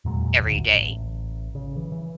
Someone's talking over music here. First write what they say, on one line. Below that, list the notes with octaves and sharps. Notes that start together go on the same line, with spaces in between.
every day,
E2 A#2 F#3 G#3
G#1 D2
A1
C#3
E3
E3